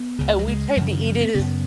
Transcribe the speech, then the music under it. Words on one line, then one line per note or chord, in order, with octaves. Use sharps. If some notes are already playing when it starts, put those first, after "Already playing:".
And we tried to eat it as
Already playing: B3
C#2 C#3
F#3
G#3
F#2 C#3 F3
D#3
F3
B3
F#2 C#3 B3